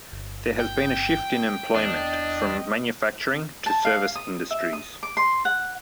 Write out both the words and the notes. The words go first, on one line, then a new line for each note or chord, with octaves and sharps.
There has been a shift in employment from manufacturing to service industries.
G1
G5
E2 D4 D#5
A5
F5
D#6
E5
D#6
D6
C6
F#5